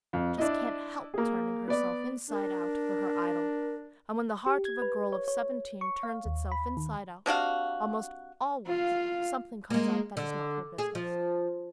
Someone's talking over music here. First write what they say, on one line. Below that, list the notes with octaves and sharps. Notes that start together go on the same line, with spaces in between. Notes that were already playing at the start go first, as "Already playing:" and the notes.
Just can't help turning herself inside out for her idol, and when the heart of a girl of seventeen turns itself inside out, almost always something comes out that is not her business.
F2
D4 E4 D#5
A#3 G#4
B3 D5
D4 A#4
G4
G#6
B4
C#5
C#5
C#6
F5
D#2
B5
D#3
C3 D4 F#4 F5
F4 F5
G#3 A#3
D3
G#4
F3